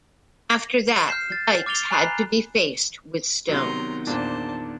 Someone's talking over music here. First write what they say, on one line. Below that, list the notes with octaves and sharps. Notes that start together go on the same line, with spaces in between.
After that the dikes had to be faced with stones.
F6 G6 C7 E7
A6
D6 F6 A6 F7 G7
G#5 A#5 B5 F#6 C7
C3 D#3 F#3 B3 A#5 C6
E2 A#2 D4 C5 A5